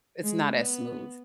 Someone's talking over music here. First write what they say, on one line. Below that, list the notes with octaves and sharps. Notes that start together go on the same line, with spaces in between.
it's not as smooth.
G#3
B3